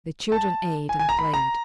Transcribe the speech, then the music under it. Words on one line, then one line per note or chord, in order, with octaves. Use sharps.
The children ate and played.
A5
G#5
G#5
A#5
B5
A#5